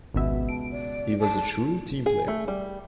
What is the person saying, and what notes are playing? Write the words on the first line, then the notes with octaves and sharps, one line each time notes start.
He was a true team player.
G#1 C#2 B2 B3 E5
A5 D7
D5
A5
G#4
A3
G3